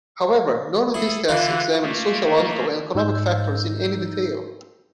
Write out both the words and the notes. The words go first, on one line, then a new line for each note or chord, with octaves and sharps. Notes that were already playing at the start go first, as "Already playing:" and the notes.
However, none of these tests examined sociological and economic factors in any detail.
E4 G#4 A4
D3 E3 E4 F4 F5
A3 A#3
G#2 D#4 E6 G6